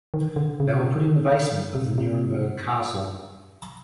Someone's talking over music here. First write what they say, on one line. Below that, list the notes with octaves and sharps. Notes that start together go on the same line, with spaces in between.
They were put in the basement of the Nuremberg Castle.
D#3
D3
C#3
C3
C3